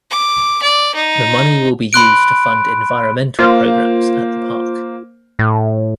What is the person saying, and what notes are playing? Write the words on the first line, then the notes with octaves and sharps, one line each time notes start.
The money will be used to fund environmental programs at the park.
D6
D5
D#4
B5 C6 F#6 D7
A#3 F4 C5
A2